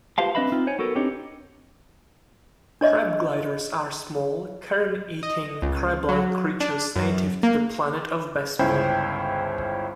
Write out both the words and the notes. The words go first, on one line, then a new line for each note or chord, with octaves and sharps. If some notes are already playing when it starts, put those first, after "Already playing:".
"Crab gliders" are small, carrion eating crablike creatures native to the planet of Bespin.
F4 G4 B4 C5 F5 A5
C4 D4 B4 D#5 E5 B5
C4 D#4 F4
C5 C#5 G#5
B3 F#4 A4 A#4
B3 C4 D4 D#4 G4 C#5
D4 C#5 D#5 E5
D#5
C#2
F#3
D4
F#2
A#3
G1 C#2 C#4 E4 C5 G5